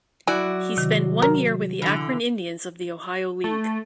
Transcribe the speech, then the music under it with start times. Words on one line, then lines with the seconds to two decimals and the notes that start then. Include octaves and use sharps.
He spent one year with the Akron Indians of the Ohio League.
0.27 F#3 E4 F#4 D5 G#5
0.77 C3 D#3
1.22 A#4
1.82 D3 E3
3.44 A3